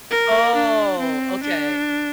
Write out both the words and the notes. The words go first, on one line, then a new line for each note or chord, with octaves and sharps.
Oh, okay. B
A#4
D4
C4
D4